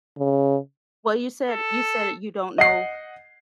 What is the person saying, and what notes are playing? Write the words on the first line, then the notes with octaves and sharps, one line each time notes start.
Well, you said you said you don't know
C#3
A4
D#5 F#5 C7